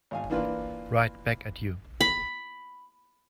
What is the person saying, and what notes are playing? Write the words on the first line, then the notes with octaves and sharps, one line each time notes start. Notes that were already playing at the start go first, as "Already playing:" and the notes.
Right back at you.
G#1 F5 G#5
E3 A#3 D4 F4 B4
B5